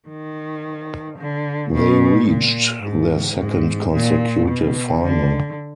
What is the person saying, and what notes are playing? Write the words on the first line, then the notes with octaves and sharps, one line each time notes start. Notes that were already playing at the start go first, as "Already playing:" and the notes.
They reached their second consecutive final.
D#3
D3
B2
A#2
G#2
G#2
A#2
B2
D3